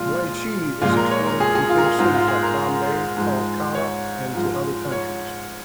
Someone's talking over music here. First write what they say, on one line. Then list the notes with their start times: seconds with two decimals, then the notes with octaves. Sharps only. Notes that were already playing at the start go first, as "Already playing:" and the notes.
Lychee is exported to big cities like Bombay, Kolkata and to other countries.
Already playing: A#2 F3 G#3 F4
0.82 A#2 F3 G#3 F4
0.97 A#4
1.11 C#5
1.26 A#4
1.40 G#4
1.55 G#4
1.70 F4
1.78 A#4
1.84 G#4
1.99 G#2 G#3 F4
2.14 F4
2.28 G#4
2.43 A#4
3.17 G#2 F3 G#3
3.75 C#5
4.34 G#2 F3 G#3
4.92 C#5